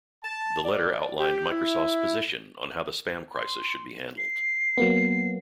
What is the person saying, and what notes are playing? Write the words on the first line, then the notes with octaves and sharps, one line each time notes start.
The letter outlined Microsoft's position on how the spam crisis should be handled.
A5
D5
G4
E4
C6
C7
F#3 A#3 B3